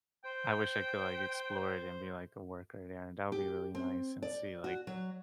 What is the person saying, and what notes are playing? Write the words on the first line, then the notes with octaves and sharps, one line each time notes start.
I wish I could, like, explore it and be, like, a worker there, that would be really nice and see, like
C5 G5
G4
C4
D5
F#4
F#3